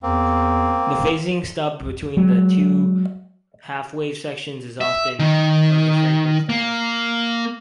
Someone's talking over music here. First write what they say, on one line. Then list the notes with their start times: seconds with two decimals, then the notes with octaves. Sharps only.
The phasing stub between the two half-wave sections is often of the Franklin style.
0.03 E2 A#3 C4
2.17 F#3 G#3
4.81 E5
5.20 D#3
6.49 A#3